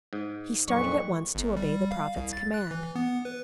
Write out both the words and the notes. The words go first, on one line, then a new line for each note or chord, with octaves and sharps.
He started at once to obey the prophet's command.
G#2
F2 A#2 F#3 C#6
G1
G3
F5
C2
A6
F#6
E3
B3
B4